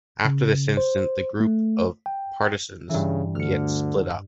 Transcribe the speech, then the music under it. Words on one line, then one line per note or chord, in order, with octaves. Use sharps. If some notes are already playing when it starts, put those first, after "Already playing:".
After this incident, the group of partisans gets split up.
C#3
C5
A3
G5
G2 C#3 E3
D2 D3 F6 C#7